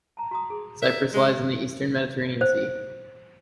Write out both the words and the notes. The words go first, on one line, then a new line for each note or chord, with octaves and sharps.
Cyprus lies in the eastern Mediterranean Sea.
A5 A#5
F#4 A#5 D#6
G#4
E5
G#3
C5